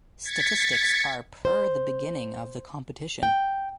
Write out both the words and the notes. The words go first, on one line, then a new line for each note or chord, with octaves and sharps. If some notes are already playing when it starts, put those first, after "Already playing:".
Statistics are per the beginning of the competition.
G#6 A6 B6 C#7
C5
G5